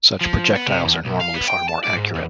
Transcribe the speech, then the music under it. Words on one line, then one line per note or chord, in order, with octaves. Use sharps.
Such projectiles are normally far more accurate.
F3
B3
C3
E2
B1
F5
B3
G5
A5
D5
G#2
E2